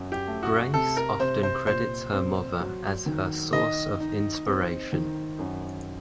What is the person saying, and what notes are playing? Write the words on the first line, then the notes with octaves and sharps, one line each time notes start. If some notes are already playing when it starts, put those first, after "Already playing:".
Grace often credits her mother as her source of inspiration.
Already playing: F#2
G4
A3
F#4
C3 A4
A#4
C3 C5
C5
A#2 C5
C4
F#3
D#3
D#3 D#5
D#4
C4
D#3
F#2